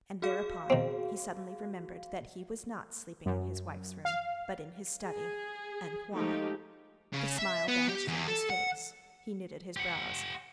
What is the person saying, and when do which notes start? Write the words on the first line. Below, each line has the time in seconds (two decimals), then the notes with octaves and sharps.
And thereupon he suddenly remembered that he was not sleeping in his wife's room, but in his study, and why: the smile vanished from his face, he knitted his brows.
0.22 F#4 G#4 F5
0.70 D#3 C4
3.26 F#2
4.05 F5
5.05 G#4
6.14 F3 G#3 A3 D#4 G4
7.13 C#3
7.38 E5
7.68 B3
7.89 G4
8.08 E2
8.28 A4
8.50 F#5
9.77 G4 F#5